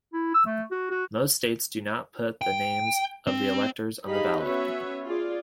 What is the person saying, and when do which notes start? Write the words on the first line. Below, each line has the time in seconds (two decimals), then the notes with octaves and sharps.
Most states do not put the names of the electors on the ballot.
0.13 E4
0.34 E6
0.46 A3
0.71 F#4
0.91 F#4
2.41 G5
3.27 C4
4.04 D#4 G4 G#4 D#5 F5 B5
4.41 B3 C#4 F#4 B4 C#5 E5
5.04 F4 G#4 D5